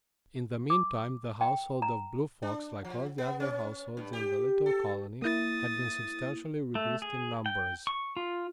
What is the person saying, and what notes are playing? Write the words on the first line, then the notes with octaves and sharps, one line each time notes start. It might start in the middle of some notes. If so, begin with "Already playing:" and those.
In the meantime the household of Blue Fox, like all the other households in the little colony, had been substantially reduced in numbers.
D6
G5
A#5
D4
F3
B3
C#4
G2
G4
A4
A#3 E4 D#6 A6
A3
G#4
G5
C#6
F4